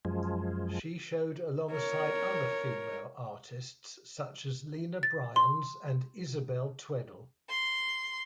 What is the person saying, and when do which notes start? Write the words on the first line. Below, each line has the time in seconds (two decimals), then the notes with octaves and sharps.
She showed alongside other female artists such as Lina Bryans and Isabel Tweddle.
0.05 F#2 F3 G#3
1.71 A#4 C#5
5.03 A6
5.36 C6
7.50 C6